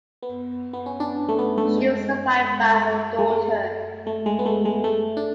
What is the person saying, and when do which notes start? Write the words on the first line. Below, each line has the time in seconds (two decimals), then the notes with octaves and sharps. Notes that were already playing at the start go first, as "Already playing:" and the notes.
She was survived by her daughter.
0.23 B3
0.73 B3
0.86 C#4
1.00 D4
1.29 A3
1.39 B3
1.58 A3
1.77 G#3
3.19 G#3
3.30 A3
4.07 A3
4.26 G#3
4.39 B3
4.46 A3
4.65 G#3
4.84 A3
5.17 D4